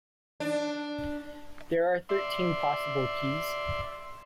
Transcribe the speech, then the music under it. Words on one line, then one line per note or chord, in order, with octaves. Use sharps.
There are thirteen possible keys.
D4
D5 E5 C6